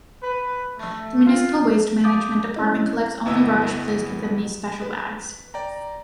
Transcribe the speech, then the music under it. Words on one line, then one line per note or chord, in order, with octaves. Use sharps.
The municipal waste management department collects only rubbish placed within these special bags.
B4
A3
F4
F5 D6 D#6 G6 A6
G#3 C4 C#4 E4 D#5
G1 D2 B3 E4 D#5 E6
B4
D5 G5 A#5